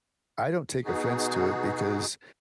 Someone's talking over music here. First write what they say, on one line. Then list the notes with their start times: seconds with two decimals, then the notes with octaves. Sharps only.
I don't take offense to it because,
0.85 B2 B3 D#4 F#4 G#4